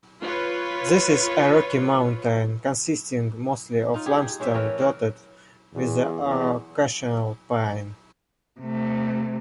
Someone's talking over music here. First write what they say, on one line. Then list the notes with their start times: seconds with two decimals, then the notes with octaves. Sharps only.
This is a rocky mountain, consisting mostly of limestone, dotted with the occasional pine.
0.22 F4 B4 C#5
3.94 D#4 F4
4.06 G4 G#4
4.21 G#4
4.40 G#3 C#4 G4 E5
4.53 E3 A3 C#4 A#4
4.79 C#3 E3 A#4
5.74 E2
6.25 E2
8.61 C3 A3